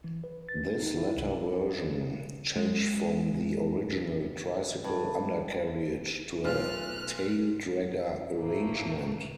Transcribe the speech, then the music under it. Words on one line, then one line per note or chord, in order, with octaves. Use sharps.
This latter version changed from the original tricycle undercarriage to a taildragger arrangement.
E3
B4
A6
D#4
E4
C2
G#3
G2
B1 B2 A3 F4 F6 F#6
A2 A3 A#3